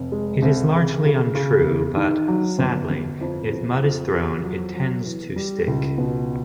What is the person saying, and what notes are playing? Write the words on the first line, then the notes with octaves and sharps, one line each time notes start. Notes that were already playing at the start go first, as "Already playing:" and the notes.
It is largely untrue, but, sadly, if mud is thrown it tends to stick.
Already playing: F1
G#3
C2
C#3
C#3
C#3
E2
D#3
F#3
G1
G1
F2
F2
F2
F2
F#3
F#3
E3
G3
C#2
B2